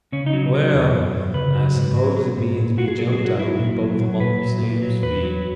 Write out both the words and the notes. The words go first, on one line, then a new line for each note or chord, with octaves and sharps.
"Well, I suppose it means be jumped on with both of Uncle Sam's feet."
C#3 C#4
D#4
F#3
F#3
E2
F#2
F#2
C#3 B4
F#3
G#2
F#3
F#3
G#2
A#2
A#2 F#4
G#4
F#3 A#4
G#4
F#3
F#4
F#3 E4
A#2
F#3
F#3
A#2 B4
F#3
A#2
F#3
E2 B4
F#3